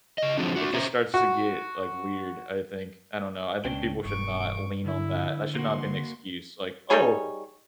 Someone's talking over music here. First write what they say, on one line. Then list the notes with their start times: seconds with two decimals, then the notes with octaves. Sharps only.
It just starts to get, like, weird, I think. I don't know, I think people should not lean on that, that should not be an excuse. Like, "Oh"
0.18 C#3 D#5
0.37 F3 F#3 G#3 C4 D4
0.56 D4 F#4
0.73 C#4 C5 E5 A#5
1.14 F#4
3.65 C#2 C#4 D4 G5
4.05 E1 G2 C#6 D7
4.85 D3 E4
5.55 A#3 F#4 C6
6.90 G3 D#4 G#4 C#5